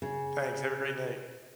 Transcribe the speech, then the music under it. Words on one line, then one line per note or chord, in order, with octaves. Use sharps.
Thanks, have a great night.
C#3